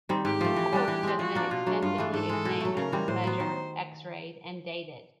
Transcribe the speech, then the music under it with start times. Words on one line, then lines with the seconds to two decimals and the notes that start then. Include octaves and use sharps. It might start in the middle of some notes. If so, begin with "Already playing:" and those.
The corpse has been extensively examined, measured, X-rayed, and dated.
0.09 D#3 G3 C4
0.25 G#2 G4
0.41 F3 A3
0.56 E3
0.73 G3 B3 D4
0.88 E3
1.03 G#3 C4
1.19 F3 F#4
1.35 A#3 D4
1.51 B2 F4
1.66 F#3 A3 D4
1.82 G2 F4
1.98 E3 A3 D4
2.14 G#2 A4
2.29 E3 G#3
2.45 B2
2.61 F#3 A3
2.76 C#3 A#4
2.92 E3 G3 C4
3.08 A2 C5
3.24 F#3 B3
3.40 D#3